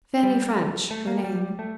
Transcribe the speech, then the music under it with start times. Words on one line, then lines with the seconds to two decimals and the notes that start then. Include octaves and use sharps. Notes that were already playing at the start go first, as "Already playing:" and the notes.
Fanny French, her name.
0.23 G3
0.91 A3
1.07 A#3
1.24 G3
1.59 A3